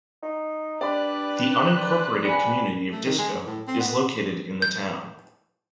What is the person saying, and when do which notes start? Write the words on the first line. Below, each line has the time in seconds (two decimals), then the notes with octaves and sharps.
The unincorporated community of Disco is located in the town.
0.23 D#4
0.81 D4 G4 B4 D5 B5 F#6
1.72 C5 D5
2.25 G3 G#5 B5 C#7
2.92 A3
3.05 D#3
3.18 G#3
3.33 F#2
3.46 A2
3.67 C4
3.80 B3
4.62 G6